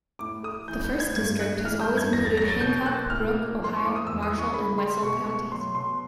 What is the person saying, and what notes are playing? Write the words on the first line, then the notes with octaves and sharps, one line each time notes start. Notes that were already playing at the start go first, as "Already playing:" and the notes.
The First District has always included Hancock, Brooke, Ohio, Marshall, and Wetzel counties.
A2 D6
A3 D#6
E3 G6
G6
A2
G#6
G2 G#6
A3 F#6
E3 F6
G6
G2
G#6
E2 A#6
A6
F#3 A#6
A6
B2 G6
A#3 F#6
A2 F6
A#3
F3
C6
C#6
A2 D6
D#6
E2 E6
D#6
E3
C#6
C#3 B5
G#3 C6
B2 C#6
A3 C#6
F#3 C6
B2 C6